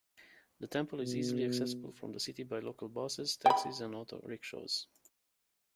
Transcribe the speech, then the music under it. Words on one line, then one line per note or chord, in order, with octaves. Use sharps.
The temple is easily accessible from the city by local buses, taxis and auto-rickshaws.
B2
G5 B5